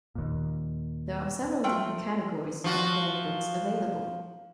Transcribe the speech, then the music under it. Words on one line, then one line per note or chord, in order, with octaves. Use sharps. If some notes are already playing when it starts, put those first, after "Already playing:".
There are several different categories of form books available.
D#2 A#2
A3 F4 G5
F3 F#4